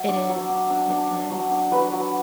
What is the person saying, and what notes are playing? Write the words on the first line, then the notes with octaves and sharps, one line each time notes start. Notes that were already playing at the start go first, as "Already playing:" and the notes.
It is, it is,
Already playing: F#3 E5
D4 D5
F#3
D4
D4
D4
D4
F#3
D4
F#3 B4
F#3